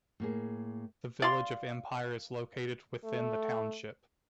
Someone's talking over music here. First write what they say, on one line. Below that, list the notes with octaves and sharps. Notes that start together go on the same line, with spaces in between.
The village of Empire is located within the township.
A2 A#3 G#4
D5 F5 C6
A3